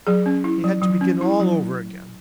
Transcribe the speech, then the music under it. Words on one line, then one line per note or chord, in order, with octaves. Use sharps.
He had to begin all over again.
F#3 G#4
C#4
E4
F#3
F#3
C#4
E4
F#3